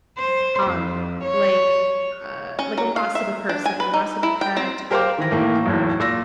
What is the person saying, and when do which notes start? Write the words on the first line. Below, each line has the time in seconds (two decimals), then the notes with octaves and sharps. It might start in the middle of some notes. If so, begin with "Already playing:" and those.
Um, like, uh, like a loss of a person, a loss of a pet, or
0.17 C5
0.66 F2
1.22 C#5
2.59 C#4
2.78 F#3
2.96 F5
3.15 E5
3.49 D4
3.66 G#5
3.80 B4
3.93 D#4
4.23 E4
4.41 G5
4.57 C4
4.91 G4 A#4 C5 F5 G5 D6
5.18 D#3 E3 A#6
5.31 A2 E3 A#3
5.66 B1 E2 A2
6.00 A#2 E6 A#6